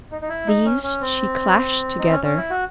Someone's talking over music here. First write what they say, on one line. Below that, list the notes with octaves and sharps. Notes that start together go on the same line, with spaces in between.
These she clashed together.
D#4
D#4
E4
D#4
C#4
C#4
C4
D#4
C#4
C#4
E4
F#4